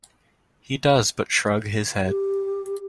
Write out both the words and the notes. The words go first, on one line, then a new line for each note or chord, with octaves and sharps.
He does but shrug his head.
G4